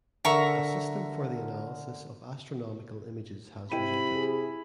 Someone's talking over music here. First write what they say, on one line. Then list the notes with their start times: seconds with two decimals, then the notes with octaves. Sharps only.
A system for the analysis of astronomical images has resulted.
0.25 D3 A#4 E5 A#5 C#6
3.72 C3 E4 G5 B5 D#7
4.15 G#4